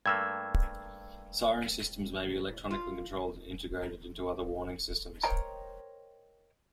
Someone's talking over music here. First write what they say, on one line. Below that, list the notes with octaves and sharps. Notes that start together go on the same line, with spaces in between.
Siren systems may be electronically controlled and integrated into other warning systems.
G2 A3 A#3 E6 G#6
F4
A#4 C5 C#5 D#5 G5 A#5